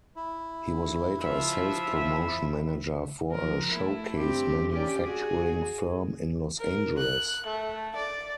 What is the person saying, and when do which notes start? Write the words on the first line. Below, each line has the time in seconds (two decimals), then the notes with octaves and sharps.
He was later a sales-promotion manager for a showcase-manufacturing firm in Los Angeles.
0.16 E4
1.21 F3 E5
3.31 F3 A#4
3.71 A3 E4
4.18 G2 C4 G4
4.71 C#4 G4 D5
5.05 F#4 G#4
6.59 A#4
6.97 F#6
7.47 A3
7.96 D5